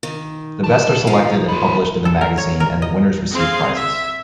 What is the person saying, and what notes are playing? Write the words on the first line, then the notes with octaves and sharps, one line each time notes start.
The best are selected and published in the magazine and the winners receive prizes.
D#3
D#5 A5
F3 G#3 D#4 F5
B3 C5
A4
A#4
C#5
A#4
D#5
C4 G#4 F5 C6
E5